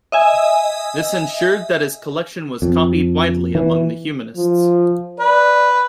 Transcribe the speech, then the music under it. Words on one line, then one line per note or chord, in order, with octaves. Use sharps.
This ensured that his collection was copied widely among the humanists.
D#5 E5 G#5
F2
E3
F3
B4 D5